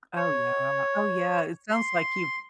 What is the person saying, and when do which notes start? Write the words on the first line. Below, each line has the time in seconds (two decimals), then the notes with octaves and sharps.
Oh, no, uh, oh, yeah, it sounds like you
0.16 C#5
1.71 C6